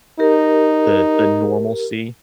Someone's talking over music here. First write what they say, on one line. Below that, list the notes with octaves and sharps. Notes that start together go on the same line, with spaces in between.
the the normalcy,
D#4 G4 A#4